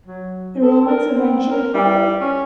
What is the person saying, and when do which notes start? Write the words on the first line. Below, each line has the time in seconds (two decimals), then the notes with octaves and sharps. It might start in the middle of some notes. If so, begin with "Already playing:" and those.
The Romans eventually followed.
0.06 F#3
0.63 A4
0.88 A#4
1.15 C4
1.51 A#4
1.74 G3
2.21 C#4